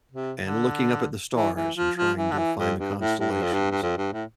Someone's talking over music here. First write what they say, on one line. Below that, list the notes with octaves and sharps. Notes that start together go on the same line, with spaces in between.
and looking up at the stars and trying to find the constellations, and,
C3
D3
E3
E3
F3
F3
E3
D3
E3
F2
G2
A2
A2
G2
F2
G2
G2
F2
G2
A2